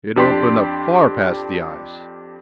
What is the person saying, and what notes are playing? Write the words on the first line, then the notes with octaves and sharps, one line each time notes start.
It opened up far past the eyes!
F2 D4 G4 D5 C6 B6